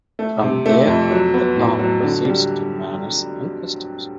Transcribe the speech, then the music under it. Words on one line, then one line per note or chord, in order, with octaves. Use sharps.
From there, the talk proceeds to manners and customs.
A3
C3
A3
F2
F#3
B3
A2
F#3
D3
G3